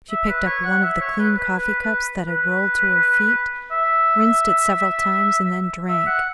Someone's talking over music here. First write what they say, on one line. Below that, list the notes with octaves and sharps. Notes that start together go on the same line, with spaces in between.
She picked up one of the clean coffee-cups that had rolled to her feet, rinsed it several times, and then drank.
E5
B4
C#5
F#5
E5
C#5
B4
B4
B4
B4
B4
E5
E5
F#5